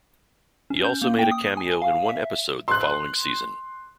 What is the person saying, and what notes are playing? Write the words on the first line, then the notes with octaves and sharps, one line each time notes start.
He also made a cameo in one episode the following season.
C#4
G6
A#3
G5
D#6
G#5
F5
E5
C6 F#6